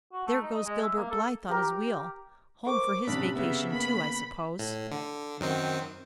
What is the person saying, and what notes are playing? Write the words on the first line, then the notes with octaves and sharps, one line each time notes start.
There goes Gilbert Blythe on his wheel . . . home for his vacation too, I suppose.
F#4
A3
D#4
D#5
G#3
E5
A#3
A4
G4 A#4
A#4 C5 C#6 D6
A1 F#2 C3 D4 B5
C#3 B3 E5
A#3 B5
A2
D3
F#2 D#3 C4